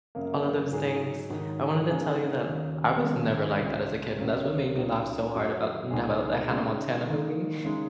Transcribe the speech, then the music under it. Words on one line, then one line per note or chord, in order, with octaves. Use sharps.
all of those things. I wanted to tell you that I was never like that as a kid, and that's what made me laugh so hard about n about the Hannah Montana movie.
F#2 C#3 A#3
G#2 F#3 D#4 G#4
G#2 D#3 F#3 D#4
C#3 A#3 D#4 G#4
D#2 C#3 F#3
D#2 C#3 G#3
C#2 C#3 G#3 C#4
C#2 C#3 F#3 A#3 C#4
C#2 C#3 F#3 D#4
F#2 F#3 C#4 F#4
C#2 C#3 G#3 D#4 G#4
C#3 G#3 D#4
D#3 A#3 D#4
C#3 G#3 D#4